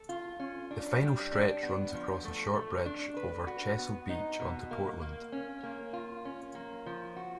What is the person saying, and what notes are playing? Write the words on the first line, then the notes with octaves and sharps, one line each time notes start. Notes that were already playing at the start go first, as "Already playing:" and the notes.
The final stretch runs across a short bridge over Chesil beach onto Portland.
Already playing: A4
F4
C#4
D4
G3
D4
B3
F3
A3
A3
D4
B4
F#4
B3
D#4
B2
A#3
A#3
C#4
A#3
F4
C#4
A#3
F3
F#4